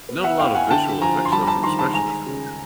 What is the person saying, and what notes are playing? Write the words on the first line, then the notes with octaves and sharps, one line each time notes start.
Not a lot of visual effects, though, from special effects,
B3
E5 F#5
E4 F5 G5
F#5 G#5
D3 G5 A5
F3 G#5 A#5
C6
G3 A5 B5
A#5
A5 B5
D#3 A#5 C6
A5 B5
G#3 G#5 A#5
C#2